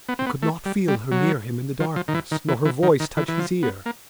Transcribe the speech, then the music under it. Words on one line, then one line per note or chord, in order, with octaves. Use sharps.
He could not feel her near him in the darkness nor her voice touch his ear.
B3
C4
B3
A3
G3
G3
F#3
F3
F3
D#3
E3
D#3
E3
E3
D#3
D#3
E3
E3
F3
B3
A#3